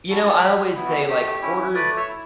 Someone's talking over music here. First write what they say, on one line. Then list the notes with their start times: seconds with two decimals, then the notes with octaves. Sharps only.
you know, I always say, like, Hoarders,
0.09 C#4 E4 F#4 A4
0.26 F#4 A4
0.43 F#3 G4
0.76 B3 E4
0.86 F#4
1.08 A3 G4
1.42 C#4 E4
1.74 A3 B4 D5
1.97 C#5 E5
2.08 E4